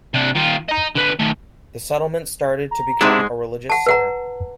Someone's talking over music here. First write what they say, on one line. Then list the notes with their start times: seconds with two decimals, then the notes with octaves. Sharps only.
The settlement started to become a religious centre.
0.14 C3 D4
0.35 D#3 F4
0.69 D#5 A#5
0.95 D3 B4
1.19 D#3 A3
2.71 A#5
3.01 G#2 C3 G#3 D4 E4
3.70 F#5 A5
3.86 B4 F#5 A#5